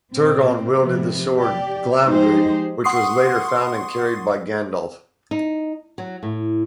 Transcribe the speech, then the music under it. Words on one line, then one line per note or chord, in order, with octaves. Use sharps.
Turgon wielded the sword Glamdring which was later found and carried by Gandalf.
A#2 C4
C3 F3 B3
G4 D5
F3 G#3 D#4 G4 G#4 C5
F#5 C6 C#6 D#6 C7
D#4
F#3
A2